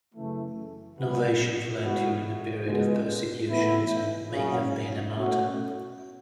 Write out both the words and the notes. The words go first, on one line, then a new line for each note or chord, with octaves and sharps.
Novatian fled during a period of persecutions, and may have been a martyr.
F#2 C#3 E3 A3
C#2 B2 F#3 B3
G#2 E3 G#3 B3 F#4
C#2 B2 G#3 B3
A2 E3 B3 E4
F#1 F#2 C#3
B2 A3 C#4 F#4